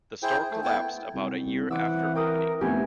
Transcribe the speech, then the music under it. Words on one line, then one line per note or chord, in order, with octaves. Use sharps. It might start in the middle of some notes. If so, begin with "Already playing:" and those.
The store collapsed about a year after opening.
E4 G#4 C5 G5
G#4
A3
B3 E4 G5
C2
C2
E3 C4 F#5 D6 E6
A#4 G5 D6 D#6
F1 A3 B3 G4 G#5